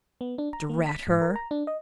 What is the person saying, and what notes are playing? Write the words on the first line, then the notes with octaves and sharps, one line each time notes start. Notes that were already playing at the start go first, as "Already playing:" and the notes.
Drat her!
B3
D4
A#5
A#3
B6
G#2
A#4
A#5
D4
D#5